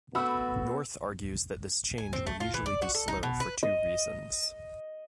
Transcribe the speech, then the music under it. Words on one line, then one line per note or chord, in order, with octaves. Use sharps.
North argues that this change will usually be slow for two reasons.
A3 B3 F#4 B5 E6
G#5
C4
A3
F4
E3
D5
F#4
A4
D#4
B2
B4
D#5